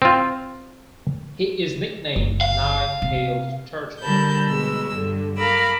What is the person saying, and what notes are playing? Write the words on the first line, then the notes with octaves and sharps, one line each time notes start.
He is nicknamed "Nine Tailed Turtle".
C4 F4
F#1
F5
C3
D3 G3 A#4 A5 B5 G6
B2 G#3 E6
G2 D3
A#4 F5 A#5 B5 D6 E6